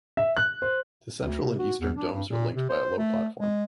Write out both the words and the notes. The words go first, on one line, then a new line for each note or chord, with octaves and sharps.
The central and eastern domes are linked by a low platform.
E5
F#6
C5
D2
C3
F#4
E2
D4
G2
A#2
C3
C5
A3
G#3